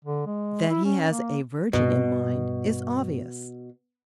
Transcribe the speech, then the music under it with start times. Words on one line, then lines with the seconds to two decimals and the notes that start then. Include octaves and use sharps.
That he has a virgin in mind is obvious.
0.05 D3
0.27 G#3
0.70 E4
0.85 C#4
1.10 A#3
1.73 G2 B2